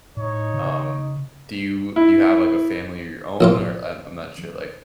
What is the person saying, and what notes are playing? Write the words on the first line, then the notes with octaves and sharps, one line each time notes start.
Um, do you you have, like, a family of your own, or I'm I'm not sure. Like
A2 D#4 C#5
C#3
E4
A#1 A2 F4